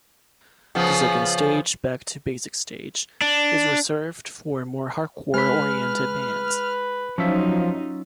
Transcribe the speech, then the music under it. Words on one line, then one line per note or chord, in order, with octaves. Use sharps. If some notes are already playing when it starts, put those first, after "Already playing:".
The second stage, Back-to-basics-stage, is reserved for more hardcore oriented bands.
C#3 F3 B3
D4
G#3 B4 B5 F6
F3 F#3 C#4 D#4 F4 E5